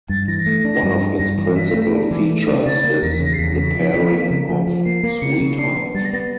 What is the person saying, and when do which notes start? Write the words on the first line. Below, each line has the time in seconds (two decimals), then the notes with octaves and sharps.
One of its principal features is the pairing of sweethearts.
0.09 G2 A6
0.28 E3 A#6
0.46 A3
0.65 D4
0.83 G2
1.01 D4
1.19 G2 A#6
1.38 E3
1.56 G2 B6
1.74 A3
1.92 D4
2.11 E3
2.29 A3
2.48 D4
2.66 C#3 A6
2.84 A#3
3.02 E2 A#6
3.13 B6
3.20 C#3 A#6
3.33 C7
3.38 E2 B6
3.57 C#3
3.75 F3
3.94 F3
4.12 A#3
4.30 C#3
4.49 F3
4.67 F3
4.86 A#3 C7
5.03 A#3
5.21 C#3 C#7
5.41 C#3
5.58 D4 C7
5.77 B3
5.95 G3 A6
6.05 A#6
6.13 B3 A6